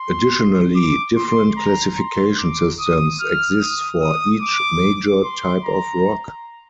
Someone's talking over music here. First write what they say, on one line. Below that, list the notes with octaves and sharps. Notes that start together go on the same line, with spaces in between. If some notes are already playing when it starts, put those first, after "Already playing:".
Additionally, different classification systems exist for each major type of rock.
Already playing: C6
D6
C6
A#5
C6
D6
D#6
F6
D#6
D#6
D6
C6
A#5